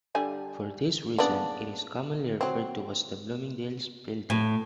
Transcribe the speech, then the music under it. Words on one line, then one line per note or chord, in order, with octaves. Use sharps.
For this reason, it is commonly referred to as the "Bloomingdale's Building".
D3 G3 G#5
C#3 B3 D4
F#3 C4
A2